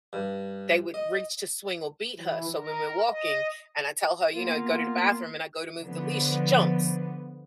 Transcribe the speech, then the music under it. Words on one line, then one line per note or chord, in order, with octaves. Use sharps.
they would reach to swing or beat her, so when we're walking and I tell her, you know, go to the bathroom and I go to move the leash, she jumps,
G2
D#5
E3
A#4
D#5
A#3 B3 F4
D3 F3 B3